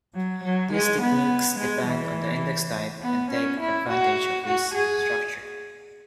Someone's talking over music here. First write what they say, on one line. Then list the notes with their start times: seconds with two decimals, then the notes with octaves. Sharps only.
These techniques depend on the index type, and take advantage of its structure.
0.15 F#3
0.44 F#3
0.72 G#3
1.02 B3
1.59 G#3
1.87 E3
3.02 B3
3.31 C#4
3.60 E4
3.89 F#4
4.46 F#4
4.74 G#4